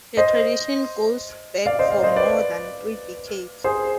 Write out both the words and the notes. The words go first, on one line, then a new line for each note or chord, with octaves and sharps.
The tradition goes back for more than three decades.
C5 D#5
D5 F5
C5 D#5
D5 F5
C5 D#5
B4 D5
G#4 C5